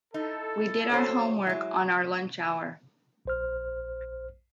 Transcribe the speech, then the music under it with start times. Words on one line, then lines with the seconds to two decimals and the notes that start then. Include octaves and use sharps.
We did our homework on our lunch hour.
0.14 D#4 E4 A4
0.89 F#3 A3 C#4 C5
1.47 F#3 G#3 E4
3.25 A#1 C5 F6